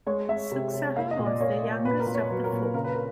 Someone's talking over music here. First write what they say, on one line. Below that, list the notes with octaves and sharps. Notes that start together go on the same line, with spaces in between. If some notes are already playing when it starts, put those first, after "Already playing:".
Suksaha was the youngest of the four.
G#3 C#5
G#3 E5
C3
C3
A#3 F5
D#5
A#2
D5
A#3 C#5
A#3
A#2 B4
A#4
A#2
C#5
F#3 B4
A#4
A#2
B4
C#3 A#4
B4
A#4